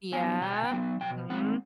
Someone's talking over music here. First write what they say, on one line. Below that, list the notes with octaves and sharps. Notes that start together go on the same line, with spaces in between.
Yeah. Mhm.
F#3 B3 G#5
B2 G5
G#5
G5
F#3 B3
B2 G5
G#3 C4 F#5